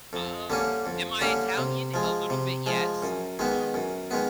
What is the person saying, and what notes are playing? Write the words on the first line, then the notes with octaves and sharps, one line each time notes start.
um, am I Italian? A little bit, yes, um
F2
D3 G3 A#3 C#4
F2
D3 G3 A#3 C#4
C3
F3 G#3
C3
F3 G#3
F#2
D#3 G#3 B3
F#2
D#3 G#3 B3